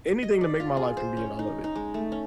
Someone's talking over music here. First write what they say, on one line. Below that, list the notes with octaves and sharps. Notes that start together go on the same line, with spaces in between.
anything to make my life convenient, I love it,
D#5
D5
F4
G#4
C5
C#4
D#4
D#4
G#3
A3
C#4